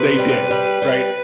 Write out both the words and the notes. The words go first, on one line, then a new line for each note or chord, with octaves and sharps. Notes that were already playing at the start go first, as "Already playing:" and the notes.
they did, right?
Already playing: C3 B4
G3
G3
G3